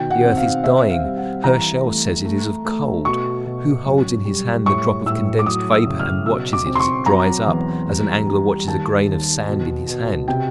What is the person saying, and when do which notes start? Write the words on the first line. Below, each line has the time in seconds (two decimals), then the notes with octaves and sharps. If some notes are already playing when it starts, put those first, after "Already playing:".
The earth is dying; Herschell says it is of cold; who holds in his hand the drop of condensed vapor and watches it as it dries up, as an angler watches a grain of sand in his hand?
Already playing: B2 D#3 G5
0.10 F#5
0.24 C4
0.37 F5
0.64 C4 E5
0.90 F5
1.04 G3
1.17 F#5
1.44 E3 A#5
1.84 A3
2.25 A3
2.65 A3
3.05 B2 C#6
3.46 B2
3.85 F#2
4.25 G3
4.66 A2 C#6
5.06 A2 E6
5.39 D6
5.46 F#3 D#6
5.72 E6
5.86 C#3
6.00 F6
6.26 B2 E6
6.53 D6
6.66 C4
6.75 C6
6.80 C#6
7.06 F#3 A#5
7.47 E2
7.88 G3
8.27 G3
8.67 D#2 A5
9.07 D#2
9.48 B2
9.88 B2
10.28 C3 G5